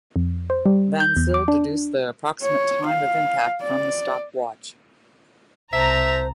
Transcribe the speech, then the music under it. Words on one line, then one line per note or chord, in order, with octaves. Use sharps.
Van Zyl deduced the approximate time of impact from the stopped watch.
F2
C5
G3
G6
E2
D6
D4
C#5
F5
D5
C2 C5 E5 A5 A#5